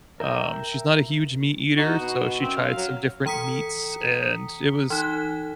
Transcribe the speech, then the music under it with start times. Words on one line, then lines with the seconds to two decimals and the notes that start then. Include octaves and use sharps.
um, she's not a huge meat eater, so she tried some different meats, and it was
0.20 A#4 E5 G5
1.77 D#4 F#4
1.99 B2
2.40 F#2 C4
2.57 F5
2.76 F#3
3.26 E3 A#5 D#6 B6 C#7
4.90 E3 D#4 F#6